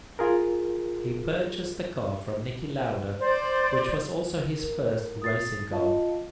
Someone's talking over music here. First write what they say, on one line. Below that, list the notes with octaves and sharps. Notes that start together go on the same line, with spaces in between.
He purchased the car from Niki Lauda, which was also his first racing car.
F4 G#4 A#4
C5 D5
A#4
D#6 A6 C7
F4 D#5 F5 A5